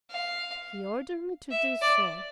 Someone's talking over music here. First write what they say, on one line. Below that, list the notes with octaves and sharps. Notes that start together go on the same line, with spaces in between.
He ordered me to do so.
F5
E5
D5